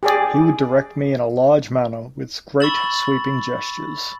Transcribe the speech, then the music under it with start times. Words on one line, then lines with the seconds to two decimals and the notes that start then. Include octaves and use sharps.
He would direct me in a large manner with great sweeping gestures.
0.03 G4 G#4 D5
2.60 B5 C#6 E6 A6 E7 F#7